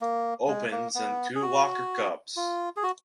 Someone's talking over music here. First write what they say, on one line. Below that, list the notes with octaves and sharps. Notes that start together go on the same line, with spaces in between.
Opens and two Walker Cups.
A#3
G#3
A#3
B3
G#4
F#4
F4
G#4
F#4